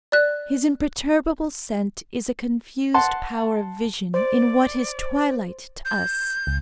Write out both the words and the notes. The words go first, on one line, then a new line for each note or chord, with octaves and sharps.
His imperturbable scent is a confused power of vision in what is twilight to us.
D5 F#6
F#5 A5 C6
C5 D5
G6
C#2